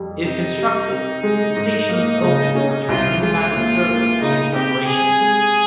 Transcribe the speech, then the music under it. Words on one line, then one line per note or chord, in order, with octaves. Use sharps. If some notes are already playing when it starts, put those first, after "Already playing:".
If constructed, the station would open after the new maglev service begins operations.
Already playing: F2 G3
C3 D#4
G3
C3
G#3
G#2
A#3
C#3
C#4
C2 F4
G#3 F4
A#2
A#3
C#3 D#4
C4 G4
C3 G#4
G#3